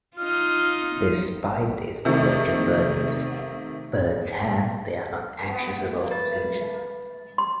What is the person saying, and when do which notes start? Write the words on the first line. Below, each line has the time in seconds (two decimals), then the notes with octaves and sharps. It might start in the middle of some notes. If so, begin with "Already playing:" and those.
Despite these greater burdens birds have, they are not anxious about the future.
0.17 D#4 F4 F6
2.05 C3 D#3 A3
6.11 B4 A6
7.38 C6